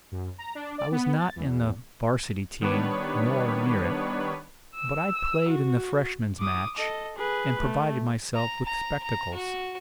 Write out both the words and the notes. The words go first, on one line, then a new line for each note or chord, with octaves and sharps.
I was not in the 'Varsity team, nor near it; but I played in the Freshman's match, and provided myself with spectacles.
F#2
A#5
D4
D5
B3
A6
E2
D#3 G3 B3 D4 B4 C#5
E6
F#4
D6 D#6
A4 D#5
G#4 B4
A3
A#5
A#5
A#5
F#4